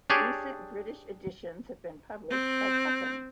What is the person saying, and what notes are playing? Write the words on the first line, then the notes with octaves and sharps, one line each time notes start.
Recent British editions have been published by Puffin.
D4 G4 G#4 C#5 D5
C4